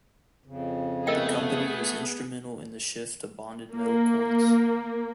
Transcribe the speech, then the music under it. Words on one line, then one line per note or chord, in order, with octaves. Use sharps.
The company was instrumental in the shift to bonded metal coins.
F2 C#3
A3 B3 G#4 A#4 D#5 G5
A#3